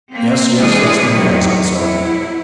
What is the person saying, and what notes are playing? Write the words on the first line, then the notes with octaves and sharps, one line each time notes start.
'Yes, yes; that's the man,' said the sergeant.
A#3 C4
C3 E3 G#3 D4 G#4 D5
C3 D#3 E3 F#3 E4
F#3 E4